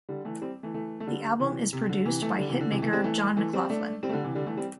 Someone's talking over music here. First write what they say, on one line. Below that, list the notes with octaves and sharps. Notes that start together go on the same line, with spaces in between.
The album is produced by hit maker John McLaughlin.
D3 G3
E3 A3
G3 C4
E3 A3
E3 A3
A3
D3 G3
C3 E3
C3
D3
C3 E3
E3 A3
D3 G3
C3 E3
D3
C3 E3
E3 A3
G3 C4
E3 A3
E3 A3
G3 C4
A3 D4
G3 C4
A3
D3 G3
C3 E3
D3 G3
E3 A3
G3 C4